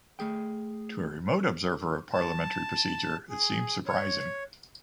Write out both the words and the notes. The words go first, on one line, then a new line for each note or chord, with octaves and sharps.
To a remote observer of parliamentary procedure it seems surprising.
A3 G#4 G5
A5
G#4
C#5